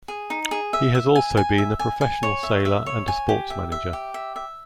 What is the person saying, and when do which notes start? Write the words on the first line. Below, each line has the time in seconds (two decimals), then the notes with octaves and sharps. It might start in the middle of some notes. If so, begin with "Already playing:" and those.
He has also been a professional sailor and a sports manager.
0.08 G#4
0.30 D#4
0.51 G#4
0.73 E5
0.95 E5
1.15 G#5
1.37 G#5
1.58 E5
1.79 G#5
2.01 G#5
2.23 C#5
2.43 E5
2.65 E5
2.86 C#5
3.08 G#5
3.29 G4
3.50 E5
3.72 E5
3.93 G4
4.14 E5
4.36 E5